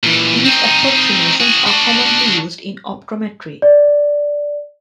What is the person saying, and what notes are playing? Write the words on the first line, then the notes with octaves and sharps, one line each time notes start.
These approximations are commonly used in optometry.
A#2 E3
C4 D#4
F#4 G#4
D4 F#4
D5